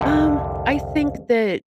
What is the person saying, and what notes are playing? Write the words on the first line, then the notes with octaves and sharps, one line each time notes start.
Um, I think that
C2 F2 D3